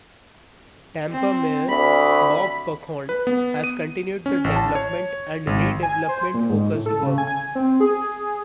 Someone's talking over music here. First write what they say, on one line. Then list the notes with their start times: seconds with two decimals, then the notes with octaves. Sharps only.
Tampa Mayor Bob Buckhorn has continued the development and redevelopment focused work.
1.10 C4
1.69 D2 B5
3.09 B4
3.27 B3
3.64 D#7
4.26 C#4
4.44 A1
4.56 A5
4.75 C#5
5.47 G#1
5.83 G#5
6.09 C5
6.34 A#2
6.49 G#2
6.74 A2
6.86 A4
7.03 C#3
7.18 G#5
7.55 C4
7.80 G#4